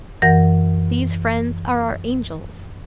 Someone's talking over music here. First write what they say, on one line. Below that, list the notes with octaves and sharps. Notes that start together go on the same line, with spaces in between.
These friends are our angels.
F#2 E3 A#4 F#5 A#6